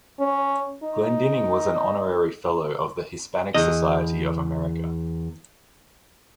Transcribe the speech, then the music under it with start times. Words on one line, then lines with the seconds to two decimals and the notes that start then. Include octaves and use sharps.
Glendinning was an Honorary Fellow of the Hispanic Society of America.
0.19 C#4
0.84 D#4
3.54 E2 D#5